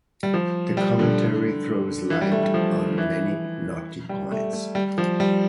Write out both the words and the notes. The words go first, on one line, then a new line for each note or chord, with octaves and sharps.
The commentary throws light on many knotty points.
G3
F3
G3
D3
E3
G3
A3
G3
F3
E3
G3
A3
A3
G3
F3
G3